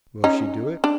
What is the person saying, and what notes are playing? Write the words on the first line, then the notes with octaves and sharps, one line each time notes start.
Will she do it?
C#4 D#4
D4